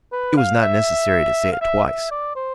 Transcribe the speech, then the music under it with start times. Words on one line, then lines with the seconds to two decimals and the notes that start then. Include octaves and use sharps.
It was not necessary to say it twice.
0.12 B4
0.37 F5
0.62 E5
1.52 F5
1.61 E5
1.86 E5
2.11 D5
2.36 C5